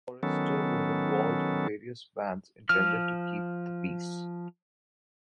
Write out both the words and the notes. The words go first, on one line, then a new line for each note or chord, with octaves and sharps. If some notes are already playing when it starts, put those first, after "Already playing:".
Forrester was involved in various bands intended to keep the peace.
D#3 F#3 B3 C#4 A4
F3 F6